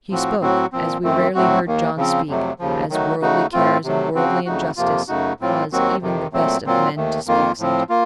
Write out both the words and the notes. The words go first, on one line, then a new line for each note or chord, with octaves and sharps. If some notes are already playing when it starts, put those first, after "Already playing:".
He spoke--as we rarely heard John speak: as worldly cares and worldly injustice cause even the best of men to speak sometimes.
A2 F3 C4 F#4
A2 F#3 C4 F#4
A#2 F3 C4
F#2 D#3 A3 C4
A2 F#3 A3 C4 F#4
D#2 D#3 A#3
C#3 F3 C4
F2 C3 F#3 A3
D#2 C#3 F3
D#3 F#3 A3 D#4 F#4
C#3 A3 D#4 F#4
A2 A3 C4 F4
C3 F#3 A3
C#3 F3 C4 F#4
F2 C#3 A3 D#4 F#4
F2 C3 F3 A#3 F4
F#2 C#3 A3 D#4 F#4
A2 F#3 C4 F4
D#2 D#3 F#3 C4 F#4
F2 C3 D#3
A#2 F#3 A3 C4
A#2 F#3 C4 F4
D#2 D#3 A3
F2 D#3 A#3 F4
A2 F3 C4
A#3 F4